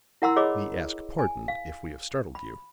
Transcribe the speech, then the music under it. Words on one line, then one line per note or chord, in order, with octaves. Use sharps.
"We ask pardon if we have startled you."
E4 A#4 F#5 A#5 C6 E6
G#4 C#5 D#5 B5 D6
G#5
F5
B5